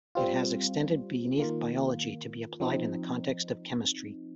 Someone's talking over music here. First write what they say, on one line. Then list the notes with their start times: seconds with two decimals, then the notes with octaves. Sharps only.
It has extended beneath biology to be applied in the context of chemistry.
0.15 G3 C4 F4
1.38 D#3 A#3 F4
2.60 F3 C4 D#4